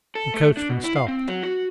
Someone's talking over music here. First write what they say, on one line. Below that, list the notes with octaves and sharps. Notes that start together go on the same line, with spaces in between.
The coachman stopped.
A4
A3
D4
B2
E4
F5
C4
F#3
F#4